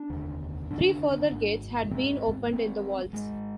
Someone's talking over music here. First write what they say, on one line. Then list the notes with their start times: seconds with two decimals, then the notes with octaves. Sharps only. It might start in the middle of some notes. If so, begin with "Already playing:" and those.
Three further gates had been opened in the walls.
Already playing: D4
0.10 F1 D#2 D3
0.70 F1 D#2 D3 D4
1.31 G#1 G#2
1.91 G#1 G#2 C4
2.52 G#1 G#2 C4
3.12 G#1 G#2 G#3